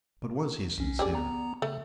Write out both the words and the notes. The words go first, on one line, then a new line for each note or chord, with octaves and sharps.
But was he sincere?
B1 C#4
G4 G#4 D5
B3 A#5
C#3 A3